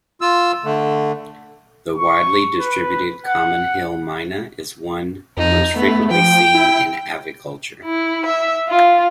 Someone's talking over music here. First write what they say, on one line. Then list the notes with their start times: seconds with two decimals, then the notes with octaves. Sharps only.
The widely distributed common hill myna is the one most frequently seen in aviculture.
0.21 F4 E6
0.65 D3 A3
1.98 C#6
2.60 B4
3.26 F#5
5.37 F2 D#4
5.76 A3 B3
6.11 F3 G5
6.55 E4
7.85 E4
8.26 E5
8.68 F4